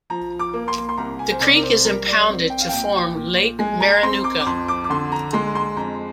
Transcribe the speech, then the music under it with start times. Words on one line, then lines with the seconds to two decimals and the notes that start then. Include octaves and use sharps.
The creek is impounded to form Lake Marinuka.
0.10 F3 A#5
0.39 D6
0.53 A#3
0.68 C6
0.89 C6
0.97 C2 A#5
1.19 G#5
1.31 C5
1.40 C3 D5
1.56 A#4
1.63 C5
1.85 G3 A#4
2.07 D5
2.29 C4
2.50 G5
2.60 F5
2.69 A#1 G5
3.15 A#2
3.59 G#3 G#5
3.80 A#5
4.03 C4 C6
4.24 D6
4.40 D6
4.46 F2 C6
4.68 D6
4.84 D6
4.90 D3 C6
5.12 A#5
5.33 G#3 C6
5.55 C6
5.77 F2 A#5